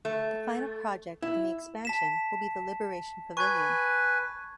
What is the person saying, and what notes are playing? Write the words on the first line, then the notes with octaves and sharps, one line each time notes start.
The final project in the expansion will be the Liberation Pavilion.
A3
E4
A5 B6 E7
B4 G#5 C#6 G#6